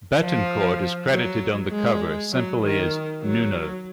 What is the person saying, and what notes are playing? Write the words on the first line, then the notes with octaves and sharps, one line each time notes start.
Bettencourt is credited on the cover simply as "Nuno".
F3
F#3
G#3
F#3
D#3
F#3